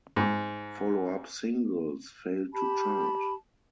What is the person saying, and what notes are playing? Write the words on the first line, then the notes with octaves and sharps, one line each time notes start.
Follow-up singles failed to chart.
G#2
G4 A5 B5